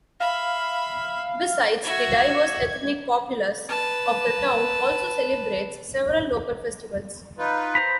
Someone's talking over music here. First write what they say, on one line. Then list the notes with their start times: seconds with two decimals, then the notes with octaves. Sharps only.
Besides, the diverse ethnic populace of the town also celebrates several local festivals.
0.20 E5 F5 B5
1.83 F#4 E5 G#6
3.69 B4 A5
7.38 D#4 F4 B4
7.75 C5 A#5 B5